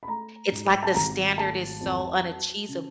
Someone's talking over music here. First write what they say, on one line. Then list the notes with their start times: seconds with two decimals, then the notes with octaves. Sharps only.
it's, like, the standard is so unachees
0.03 B5
0.07 A3 A#5
0.51 G#2
0.83 A5
0.94 G#1 A#5
1.38 A3 A5
1.81 F2
2.25 F#3
2.68 C#3